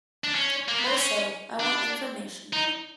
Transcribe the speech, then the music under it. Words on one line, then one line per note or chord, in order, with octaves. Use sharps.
Also, I want information.
D4
C#4
A#3
B3
C4
C#4
D4
D#4